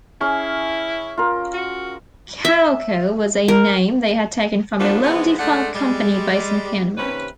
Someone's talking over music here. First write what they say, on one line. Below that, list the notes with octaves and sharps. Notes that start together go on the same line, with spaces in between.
"Carolco" was a name they had taken from a long-defunct company based in Panama.
C#4 E4 G#4
F4 A#4
F#4
E5
A#4
A2 F3 G3 A#3 B3 D4
E3 F3 G#3 B3
G#3 A3 D4 A4 F#5
G3 G#3
D#2 C3 C#4 B4